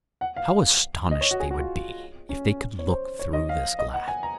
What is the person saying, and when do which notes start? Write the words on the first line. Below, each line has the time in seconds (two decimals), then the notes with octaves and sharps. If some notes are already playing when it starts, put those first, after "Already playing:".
How astonished they would be if they could look through this glass!
0.21 F#5
0.37 F5
1.11 D#5
1.21 C#5
1.31 F#4
1.40 G#4
1.51 F#4
1.60 F4
2.29 C#4
2.79 C#5
2.89 C5
3.19 C#5
3.33 D#5
3.49 F5
3.79 D#5
3.94 F#5
4.08 G#5
4.23 A#5